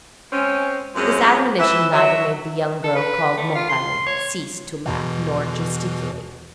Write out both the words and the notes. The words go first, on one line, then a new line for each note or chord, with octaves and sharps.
This admonition neither made the young girl called Montalais cease to laugh nor gesticulate.
G#3 C4 C#4
F#2 F3 G#3 C4 C#4
E3 B4 E5
F#3 E5
A4
B4
A3
F4
C6
C#5
E2 B2 E3